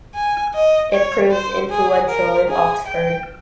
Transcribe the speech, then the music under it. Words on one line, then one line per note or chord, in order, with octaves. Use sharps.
It proved influential in Oxford.
G#5
D#5
C#5
C5
G#4
A#4
G#4
G5